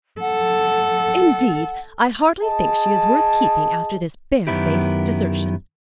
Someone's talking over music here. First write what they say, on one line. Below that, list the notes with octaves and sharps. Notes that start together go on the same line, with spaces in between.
"Indeed I hardly think she is worth keeping after this barefaced desertion."
A4 F#5
G#4 D#5 A5
F#2 B2 D#3 B3 E4 G4